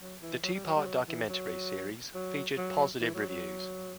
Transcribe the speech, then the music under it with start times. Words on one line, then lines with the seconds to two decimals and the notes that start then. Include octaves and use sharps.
The two part documentary series received positive reviews.
0.01 F#3
0.22 E3
0.44 F#3
0.55 G3
0.65 F#3
0.76 G3
0.86 F#3
1.08 E3
1.29 F#3
2.15 F#3
2.57 F#3
3.00 E3
3.14 F#3
3.28 F#3